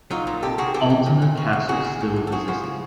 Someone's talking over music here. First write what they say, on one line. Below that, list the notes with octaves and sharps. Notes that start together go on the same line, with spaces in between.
Altena Castle still resisted.
F#3 D#4 F4
A#2
C3 G4 A4
D#3 F#4 G#4
E3 G4 A4
E3
A#2
A#2
C#3
C#3
A#2 F#4 G#4
A#2
A2
E3
A4
F3 F#4 G#4
F3 E4 F#4
C#3